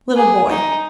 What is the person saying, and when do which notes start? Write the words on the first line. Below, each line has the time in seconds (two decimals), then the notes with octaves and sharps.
Little boy.
0.17 G#4
0.50 D#4